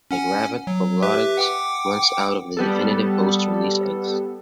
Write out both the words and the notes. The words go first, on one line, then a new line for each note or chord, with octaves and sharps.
The gravid proglottids once out of the definitive host release eggs.
C#4 F#5 G#5
F#3
G4 B4 E5
F#5 G5 D6
G3 B3 A4